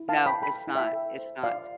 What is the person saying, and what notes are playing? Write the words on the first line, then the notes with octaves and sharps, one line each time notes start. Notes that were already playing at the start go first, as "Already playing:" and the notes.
No, it's not, it's not.
Already playing: E4
F5 A5
B4
G5 B5
A4 G5 B5
E4
E5 G5
A4
C5
F4 D5 F5